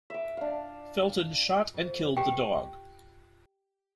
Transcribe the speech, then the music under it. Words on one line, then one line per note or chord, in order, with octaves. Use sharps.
Felton shot and killed the dog.
E5 D6
D4 F5
F2
G4 G5